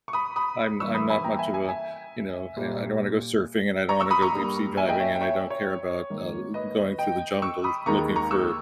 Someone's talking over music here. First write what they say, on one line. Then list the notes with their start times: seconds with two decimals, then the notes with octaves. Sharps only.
I'm I'm not much of a you know, I I don't wanna go surfing and I don't wanna go deep-sea diving and I don't care about, uh, l going through the jungle looking for
0.08 C#6
0.13 B5 D#6
0.36 B5 D#6
0.80 G2 E3 A#3 C#6 E6
0.95 B5 D#6
1.10 G#5 B5
1.24 G5 A#5
1.39 E5 G#5
1.53 E5 G#5
1.69 E5 G#5
2.56 A#2 G3 A#3
3.89 A#5 C#6
4.00 C#6 E6
4.11 B5 D#6
4.22 A#5 C#6
4.33 G2 G3 A#3
4.77 E5 G#5
4.88 D#5 G5
5.00 C#5 E5
5.15 G5
5.21 C#5 E5
5.50 C#5
6.10 G#2 D#3 A#3
6.54 B4 D#5
6.98 D#5 G5
7.42 C#6 E6
7.64 B5 D#6
7.86 D#2 D#3 G#3 A#5 C#6
8.16 A#5 C#6
8.31 C#6 E6